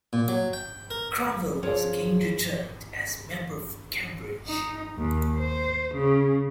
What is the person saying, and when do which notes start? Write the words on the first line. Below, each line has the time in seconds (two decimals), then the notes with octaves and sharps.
Cromwell was again returned as member for Cambridge.
0.13 A#2
0.28 F#3
0.53 G5
0.91 A#4
1.63 F3 G#4 C#5 D5
4.47 D#4
4.98 D#2
5.39 C5
5.95 C#3